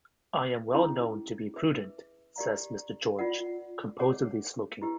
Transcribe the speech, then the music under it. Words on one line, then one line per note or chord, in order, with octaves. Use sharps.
"I am well known to be prudent," says Mr. George, composedly smoking.
C#4 E4 G#4
G#4 B4 E5
G4 A#4 D5 F5 A#5
F4 A#4 D5 F#5
G#4 C#5 F#5
E4 G4 B4